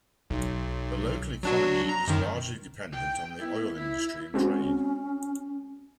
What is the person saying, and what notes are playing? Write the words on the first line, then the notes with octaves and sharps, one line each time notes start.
The local economy is largely dependent on the oil industry and trade.
B1
F#3 D4 F#4
A#5
F#2 D#3
G5
B3 E4
E4
G#3 C4 C#4 F#4